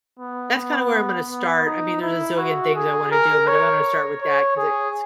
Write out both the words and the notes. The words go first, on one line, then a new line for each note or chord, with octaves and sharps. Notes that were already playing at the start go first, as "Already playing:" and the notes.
that's kinda where I'm gonna start, I mean, there's a zillion things I wanna do, but I'm gonna start with that 'cause it s
B3
B3
B3
D#4
E4
F#4
G#4
A#4
C#5
C#5
G#4